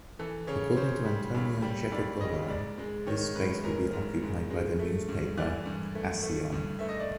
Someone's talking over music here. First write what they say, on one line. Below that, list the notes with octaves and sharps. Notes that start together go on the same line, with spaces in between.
According to Antonio Checa Godoy, its space would be occupied by the newspaper “Acción”.
E3 A4
C#3 C#5
C#5
C#3 C5
G3
D#2
G3
D#2 D5
C#3 D#5
G#2 D5
G#3
D#3 C#5
G#2 B4
G#2 A#4
G#2
G#2
G#3
A3
G2
E3 D5
G2
A3
A3
G2
A3 E5
D#5
D5